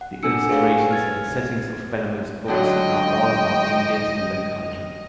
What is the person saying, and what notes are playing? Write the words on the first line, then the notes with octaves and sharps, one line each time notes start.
The illustrations and settings of Bannerman's books are all about Indians and their culture.
F#5
A3 D4 A4 G#5 E6 C#7
G4 G#4 B4 C#5 F5 G#5
F6 G#6 A6
C#2 D3 F#3 D#5 G5